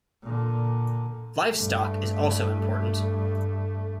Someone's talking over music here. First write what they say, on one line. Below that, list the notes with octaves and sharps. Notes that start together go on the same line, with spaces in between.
Livestock is also important.
A#2 D3
G2 A3